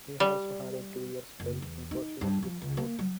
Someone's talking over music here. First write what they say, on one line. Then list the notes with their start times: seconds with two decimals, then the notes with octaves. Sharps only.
He also had a two-year spell in Portugal with Sporting.
0.20 G3
1.40 F#1
1.62 E2
1.91 D#4
2.21 G2
2.43 F3
2.62 C#2
2.77 A#3
2.99 F#3